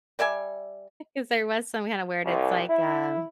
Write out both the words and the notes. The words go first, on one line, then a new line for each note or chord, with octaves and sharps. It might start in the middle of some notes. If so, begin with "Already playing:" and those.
'cause there was some kinda word, it's like, uh
G3 D5 E5 G#5
C2
E4